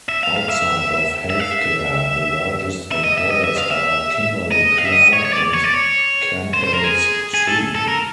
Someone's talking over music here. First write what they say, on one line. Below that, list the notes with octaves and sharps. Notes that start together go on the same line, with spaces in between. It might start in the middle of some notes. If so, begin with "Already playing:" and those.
Outside of healthcare, the largest employers are Kimberly-Clark, and Campbell's Soup.
E5
F5
F5
E5
E5
F5
E5
E5
D#5
E5
D#5
E5
F5
E5
D#5
F5
E5
D#5
C#5
C#5
D5
C#5
D5
C#5
C5
C5
A#4
G#4
G#4
A4
A4
A#4